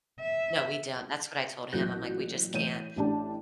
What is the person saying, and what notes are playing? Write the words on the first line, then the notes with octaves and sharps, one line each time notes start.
No, we don't. That's what I told him. I'm like, "We just can't
E5
A1 A#2 F#3 F#6 G6 A#6
A2 E3 C#5 G6 D#7 E7
A1 A2 D4 G4 A5